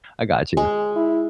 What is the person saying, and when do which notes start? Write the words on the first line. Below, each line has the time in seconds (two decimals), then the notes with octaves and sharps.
I gotchu."
0.57 G#3
0.96 E4